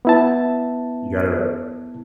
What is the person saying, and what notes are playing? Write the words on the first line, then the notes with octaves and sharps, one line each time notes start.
you got it right,
B3 E4 A5